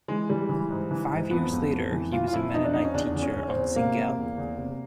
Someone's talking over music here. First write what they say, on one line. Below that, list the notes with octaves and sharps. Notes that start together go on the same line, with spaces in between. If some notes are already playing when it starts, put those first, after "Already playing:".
Five years later he was a mennonite teacher on Singel.
E3 G#3
E3 G3
E3
G#2
E3
G#2
F2 B3
F2
F2
E3
E3 F4
F4
F2 E4
F2 D#4
D4
F2 D#4
C#4
E2 D4
E2
C#4
E2
C4
E2
C3 A#3
C3
E2
E2
C3